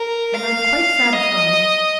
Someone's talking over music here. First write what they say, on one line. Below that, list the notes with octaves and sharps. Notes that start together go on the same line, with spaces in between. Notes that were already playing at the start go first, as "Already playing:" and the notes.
And I'm quite satisfied.
Already playing: A#4
F5
D#5